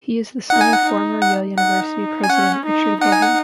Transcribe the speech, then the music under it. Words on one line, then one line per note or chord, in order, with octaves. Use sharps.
He is the son of former Yale University President Richard Levin.
D#4 F#5
G#5
F#5
D#4
F#5
D#4 F#5
G#5
C#4 F#5
D#4
D#4 F#5
G#5
F#5